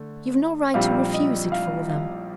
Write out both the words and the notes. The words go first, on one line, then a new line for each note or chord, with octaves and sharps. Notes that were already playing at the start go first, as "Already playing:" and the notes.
You've no right to refuse it for them.
Already playing: D3 A3
A#1 A#2 G3 C4 F5
D#5
F5
F5